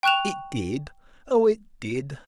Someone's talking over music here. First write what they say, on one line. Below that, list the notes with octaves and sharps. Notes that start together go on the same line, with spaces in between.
It did, oh it did.
G5 C#6 F#6 E7 F7